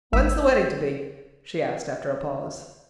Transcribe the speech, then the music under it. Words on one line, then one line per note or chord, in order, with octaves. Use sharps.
"When's the wedding to be?" she asked after a pause.
G#1 E5